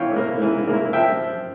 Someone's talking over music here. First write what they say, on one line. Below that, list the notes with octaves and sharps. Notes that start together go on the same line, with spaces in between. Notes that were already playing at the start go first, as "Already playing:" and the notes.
First Book Award for Fiction.
Already playing: E3 E4 C#5 F5 G5
A#3 E4
E3
A#3 E4
F3 E5 G5